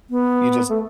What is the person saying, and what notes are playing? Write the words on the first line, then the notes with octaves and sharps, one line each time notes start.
you just
B3
A3